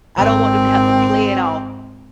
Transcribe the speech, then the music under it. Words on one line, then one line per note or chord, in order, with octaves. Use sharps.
I don't want them to have to play it off
G#1 C4